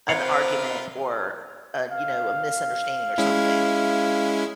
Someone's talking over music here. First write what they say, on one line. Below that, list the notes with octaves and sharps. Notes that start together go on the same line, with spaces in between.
an argument or, uh, you know, a misunderstanding or something.
C3 F4 A#4 B4 C#5 F5 F#5
F5
G#3 C#4 E4